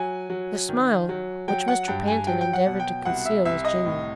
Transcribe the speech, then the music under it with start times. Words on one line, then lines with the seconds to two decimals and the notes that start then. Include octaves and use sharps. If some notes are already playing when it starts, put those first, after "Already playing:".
The smile which Mr. Pantin endeavored to conceal was genuine.
Already playing: F#3 G#5
0.30 F#3
0.69 D#3
1.09 F#3
1.48 F#3 G5
1.68 F#5
1.88 G2 G5
2.07 G#5
2.27 F#3 G5
2.41 G5
2.53 F#5
2.67 B2
2.80 G5
3.05 C2 F#5
3.26 E5
3.45 C2 E5
3.65 D#5
3.85 A2